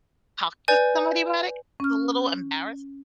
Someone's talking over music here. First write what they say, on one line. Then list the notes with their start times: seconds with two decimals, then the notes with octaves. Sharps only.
talk to somebody about it. A little embarrassed.
0.68 B4 D5 G#5 G6
1.80 C#4 F6